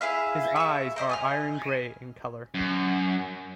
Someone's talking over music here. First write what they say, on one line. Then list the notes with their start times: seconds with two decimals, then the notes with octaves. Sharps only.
His eyes are iron-gray in color.
0.01 E4 G#4 E5 F5
0.56 E5 C#6
0.96 A#4 C5 D#5 B5
1.09 G#5 D#6 F6
2.54 F#2